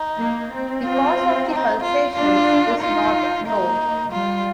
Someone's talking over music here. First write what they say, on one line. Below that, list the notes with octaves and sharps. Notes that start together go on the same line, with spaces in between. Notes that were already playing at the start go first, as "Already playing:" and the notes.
The cause of the pulsations is not known.
Already playing: D#4
A#3
C4
F4
D#4
F4
D4 F4
D#4 F4
A#3 D#4
G3 F4